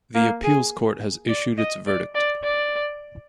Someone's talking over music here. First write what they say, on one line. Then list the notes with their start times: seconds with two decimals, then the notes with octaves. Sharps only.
The appeals court has issued its verdict.
0.15 A#3
0.43 G#4
1.29 D5
1.58 D#5
1.86 D5
2.15 D5
2.44 D5